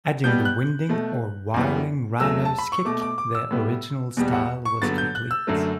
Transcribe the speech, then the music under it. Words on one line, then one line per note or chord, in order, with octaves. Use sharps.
Adding the Winding or Whirling Roundhouse Kick the original style was complete.
B2 G3 B3 G6
F#6
B2 A3
F#2 E3 G3 B3
E2 B2 F#3 A3 E6
A5
B5
C#6
B2 A3 D6
D6
D6
E6
A2 G3 B3
E2 B2 G3 B3
F#5
C#6
G2 D3 F#3 B3 A6
G6
F#6
E6
F#2 D3 F#3 A3